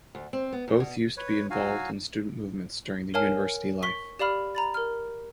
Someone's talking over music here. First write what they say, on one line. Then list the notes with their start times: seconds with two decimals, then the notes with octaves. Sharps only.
Both used to be involved in student movements during the university life.
0.15 D2
0.33 C4
0.53 B3
0.68 E2
0.80 B2
1.17 B4 C#5
1.50 F#3 F#4 F5 G#5
3.14 A#4 C#5 F5 G#5 A5 F6
3.82 C#6 B6 G7
4.19 G4 D5 F5 B5 F6
4.55 A#5 B5 A6
4.74 A#4 F6